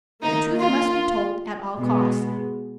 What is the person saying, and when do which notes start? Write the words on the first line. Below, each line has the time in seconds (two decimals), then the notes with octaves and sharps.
The truth must be told at all costs.
0.24 D#3 A#3 D#4
0.62 F4
1.78 B2 G#3 B3